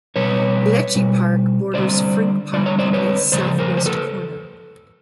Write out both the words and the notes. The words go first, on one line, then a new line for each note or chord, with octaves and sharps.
Leschi Park borders Frink Park in its southwest corner.
B2 G3 B4 C#5
B2 G3
D3 G3 C5 D5
D3 G3 D5
C#5
C5 D5
B4 C#5
C#3 F3 C5 D5
A#4 C5
C5
A4 B4